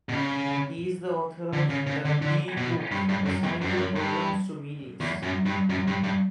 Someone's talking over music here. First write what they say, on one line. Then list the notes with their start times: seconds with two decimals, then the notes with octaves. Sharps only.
He is the author of "The B-Book: Assigning Programs to Meanings".
0.09 B2
0.13 C#3
1.53 D3
1.70 C#3
1.87 C#3
2.05 D3
2.22 D3
2.57 B2
2.92 G2
3.09 G2
3.26 F#2
3.43 E2
3.61 F#2
3.69 G2
3.77 F#2
3.96 G2
5.01 E2
5.23 F#2
5.46 G2
5.70 F#2
5.87 G2
6.04 G2